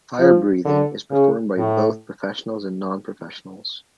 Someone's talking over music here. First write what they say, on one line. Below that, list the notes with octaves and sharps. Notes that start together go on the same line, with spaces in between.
Fire breathing is performed by both professionals and non-professionals.
F3
D3
C#3
A2